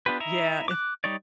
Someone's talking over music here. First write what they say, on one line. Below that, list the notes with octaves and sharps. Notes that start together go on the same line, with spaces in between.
Yeah, if
B3 D4 F4 G4 B4
D#4 E4 E5 A#5
D6 F#6
G3 D#4 C#5 D5